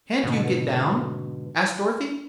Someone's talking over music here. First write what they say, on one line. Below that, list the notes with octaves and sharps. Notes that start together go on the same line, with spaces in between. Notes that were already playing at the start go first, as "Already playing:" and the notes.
"Can't you get down?" asked Dorothy.
G#2 B2 D3